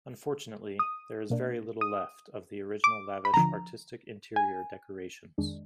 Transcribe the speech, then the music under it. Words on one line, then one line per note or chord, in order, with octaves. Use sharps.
Unfortunately, there is very little left of the original lavish artistic interior decorations.
D#6
B2 A#3 D4
D#6
D6
B5
D2 D3 F3 A#5
G#5
F2 D#3 G#3 D4